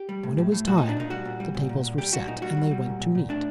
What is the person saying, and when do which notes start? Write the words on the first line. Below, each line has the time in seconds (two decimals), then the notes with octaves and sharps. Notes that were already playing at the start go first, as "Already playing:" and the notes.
When it was time the tables were set, and they went to meat.
Already playing: G4
0.09 G3
0.23 A2
0.38 A2
0.52 A2
0.67 A#2 F#4
0.78 A#2 D#4
0.89 D4
0.97 A#2 D#4
1.10 G3 F#4
1.25 A#2
1.40 G3
1.54 A#2
1.69 A#2
1.84 A#2
1.98 G3 G4
2.12 G3 F#4
2.27 A#2 D#4
2.42 G3 F#4
2.57 G3
2.71 G3
2.86 A#2
3.00 A#2
3.15 A#2
3.29 A2 D4